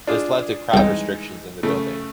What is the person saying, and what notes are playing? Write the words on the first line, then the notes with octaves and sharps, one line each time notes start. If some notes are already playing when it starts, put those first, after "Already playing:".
This led to crowd restrictions in the building.
D4 F4 G#4
C2 E3 G#3 D#4 G5
C#3 A3